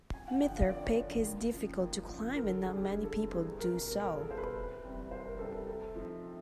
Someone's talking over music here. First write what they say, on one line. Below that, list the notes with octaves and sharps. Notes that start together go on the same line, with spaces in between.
Mitre Peak is difficult to climb and not many people do so.
F2 G#5
F#5
D3 F3 G5
F5
F2 D5
C#5
D3 F3
D#2
C#3 F3
D#2
C#3 F3
D3 A#4
A4
G3 C4 G#4
G4
D3 G#4
A4
G3 C4
G#4
E2
A#4
B2 G3 A#4
A#4
A4
E2 A#4
G#4
A4
B2 G3 C5
B4
C2
C3 E3 G3 C4
C2 C5
A#4
C3 E3 G3 C4 A4
A#4
C3 A4
F3 A3 C4 D#4
C3